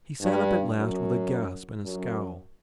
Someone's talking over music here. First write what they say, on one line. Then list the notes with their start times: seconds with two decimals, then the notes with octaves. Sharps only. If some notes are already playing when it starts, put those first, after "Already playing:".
He sat up at last with a gasp and a scowl.
0.21 G2
0.77 F#2
1.85 F#2